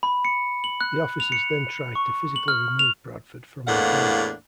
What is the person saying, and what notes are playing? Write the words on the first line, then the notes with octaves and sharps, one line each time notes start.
The officers then tried to physically remove Bradford from the car.
B5
C#7
F#7
F#6
F7
C#7
C#6
F#7
F6
F7
E2 A2 A#3 D4 F5 F#5